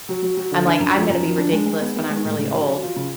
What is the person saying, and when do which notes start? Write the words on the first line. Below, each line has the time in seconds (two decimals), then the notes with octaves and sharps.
I'm like, I'm gonna be ridiculous when I'm really old,
0.09 F#3
0.22 F#3
0.37 F#3
0.52 D3
0.65 D4
0.80 F#2
0.95 F3
1.10 F#2
1.23 F3
1.38 D4
1.52 G#3
1.66 G#3
1.81 B3
1.96 B3
2.09 G#3
2.25 A2
2.38 C#3
2.53 F#3
2.68 F#3
2.82 F4
2.96 C#3